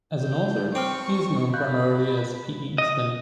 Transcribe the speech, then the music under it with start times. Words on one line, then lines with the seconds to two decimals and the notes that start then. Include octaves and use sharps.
As an author, he is known primarily as P. D. Eastman.
0.22 G6
0.75 C4 C#6 D6 F6
1.54 F5 B5 F#6 G6
2.78 D#5